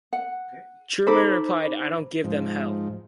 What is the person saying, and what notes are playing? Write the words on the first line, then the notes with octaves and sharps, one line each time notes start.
Truman replied, I don't give them Hell.
F#5
D#4 A4 C5 B5 D6
G#2 F3